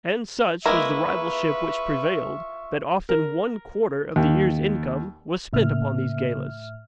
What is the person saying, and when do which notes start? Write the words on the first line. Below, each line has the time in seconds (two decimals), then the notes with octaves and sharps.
And such was the rivalship which prevailed, that often one quarter of the year's income was spent upon these galas.
0.66 G#3 A#3 E4 F4 A#4 B4 E5 C#6
3.09 A#4
4.16 D#2
5.53 A2 C#3 A#3 E5 F6